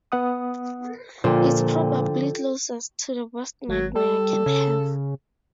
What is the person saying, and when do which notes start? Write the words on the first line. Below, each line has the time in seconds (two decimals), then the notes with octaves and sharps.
It's probably closest to the worst nightmare I can have.
0.12 B3 F#5 D#6
1.24 A#2 D3 F3 F4 C5 G5
3.68 G#1 F#3
3.95 G3 A4
4.46 C#3